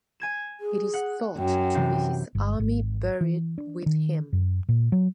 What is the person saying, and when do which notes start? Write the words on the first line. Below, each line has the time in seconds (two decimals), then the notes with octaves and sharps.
It is thought to be his army buried with him.
0.20 G#5 G#6 E7
0.61 G#4
0.94 F#5
1.37 F#2 G5
1.75 C3 E3 C4
2.35 G1
2.59 G#1
3.21 E3
3.58 D4
3.86 D#3
4.33 F#2
4.69 A#2
4.92 F#3